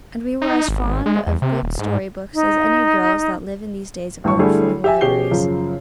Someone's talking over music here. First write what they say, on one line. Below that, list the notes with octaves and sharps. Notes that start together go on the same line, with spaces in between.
And we were as fond of good story-books as any girls that live in these days of overflowing libraries.
D#4
G#1
G#3
E2
C3
D#1
G#2
D#4
A1 G2 C#6
D3 G3 A3 E4 G#4
G4 E5 G#5
B2 C#4 G4 G#4 C7 G7
F#2 C#3 F3